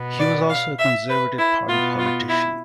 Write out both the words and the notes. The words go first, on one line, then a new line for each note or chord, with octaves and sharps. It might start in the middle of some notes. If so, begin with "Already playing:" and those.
He was also a Conservative Party politician.
Already playing: B2 B3
D5
F5
E5
B4
E4
B2 B3 F4
F4
E4